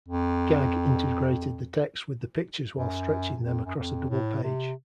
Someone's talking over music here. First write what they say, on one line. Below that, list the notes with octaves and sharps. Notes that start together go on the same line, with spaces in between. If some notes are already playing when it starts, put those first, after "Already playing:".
Gag integrated the text with the pictures while stretching them across a double page.
F2
F#2
F2
F#2
F2
A2
C3